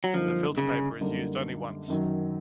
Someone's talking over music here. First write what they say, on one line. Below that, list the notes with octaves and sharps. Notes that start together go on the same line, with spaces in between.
The filter paper is used only once.
F#3
F#2 D3 F3 G3 A#3 D#4
C#3
F#2 D3 G3 A#3 D#4
F#2 D#3 F#3